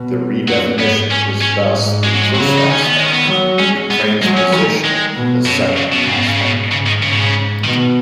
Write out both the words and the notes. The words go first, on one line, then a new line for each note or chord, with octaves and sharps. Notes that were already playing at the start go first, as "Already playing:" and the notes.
The redefinition is thus the first aspect, the transposition the second aspect.
Already playing: B2
F#2 F#3
G#2 B3
C#4
C#4
G#2
G#3
F#3
G#3
C#3 F#3
D#4
D#3
C#4
B3
G#3
C#4
B3
F#3
G#3 C#4
B3
F#3 G#3
C#4
D#3 C#4
G#3
B2
F#2 B2
C#3
B2
G#2 C#3
B2
C#3
B2
G#2 C#3
D#3
G#2 C#3
B2
C#3
B2 D#3